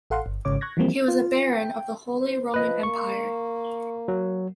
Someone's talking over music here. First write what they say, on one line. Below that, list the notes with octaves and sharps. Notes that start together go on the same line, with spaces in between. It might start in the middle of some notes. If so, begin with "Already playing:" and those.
He was a Baron of the Holy Roman Empire.
A1 A4 F5 F#5 C6
G1
G#1 G#2 C#3 C#5 D6
C#6 F#6 G#6 A#6
E3 F3 G3 A#3 C4
F4
G5
C5
F3 B4 D#5
A#3 C#6
F#3